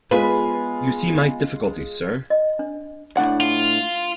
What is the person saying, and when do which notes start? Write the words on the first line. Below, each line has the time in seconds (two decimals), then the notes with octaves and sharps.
You see my difficulty, sir?
0.11 G#3 B3 F4 B4 G#5
2.30 D#5
2.59 D4
3.17 A2 D4 F#5
3.40 F4